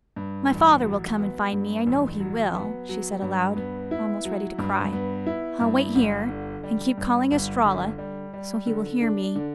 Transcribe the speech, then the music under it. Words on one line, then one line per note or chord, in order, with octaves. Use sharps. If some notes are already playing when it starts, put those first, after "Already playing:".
"My father will come and find me, I know he will," she said aloud, almost ready to cry. "I'll wait here, and keep calling 'Estralla,' so he will hear me."
G2
A1
F#3
B3
G2
A1
F#3
B3
F#3
G2
B3
E4
F#3
G2
B3
E4
G2
G1
D3
G3
G2
G1
D3
G3
G3
D3
D4
D3